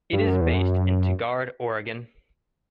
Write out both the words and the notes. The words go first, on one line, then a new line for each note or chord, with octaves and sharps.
It is based in Tigard, Oregon.
G2
F#2
E2
F#2